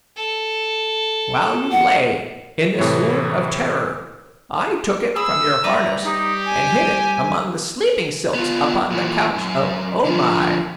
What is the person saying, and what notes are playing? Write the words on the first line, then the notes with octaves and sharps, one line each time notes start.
While you lay in the swoon of terror I took it from your harness and hid it among the sleeping silks upon the couch of O-Mai.
A4
F#5
A2 C3 E3 C#5
G#4 B5 D#6 E6
G3 B4 D5 E5 A#5
D#4 G4
G#5
B3 F4
A#2 E3
F#2
D3 F3